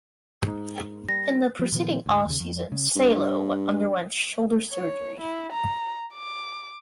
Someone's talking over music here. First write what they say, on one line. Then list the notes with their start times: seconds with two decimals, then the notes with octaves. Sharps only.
In the proceeding off-season, Salo underwent shoulder surgery.
0.46 G#2 D#4
1.09 G3 A#6
1.59 F3 G3
1.72 A#2 D#3 F3 B3
2.06 D2 G#2
2.26 D#2 C#3
2.40 F2
2.72 C#3
2.96 G2
4.71 C#5
5.20 E4
5.52 A#5
6.14 D6